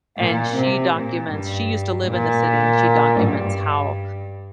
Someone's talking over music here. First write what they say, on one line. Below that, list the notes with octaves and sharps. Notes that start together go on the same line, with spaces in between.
and she documents she used to live in the city and she documents how,
A#2
C3
A#2
G2
A#2
G2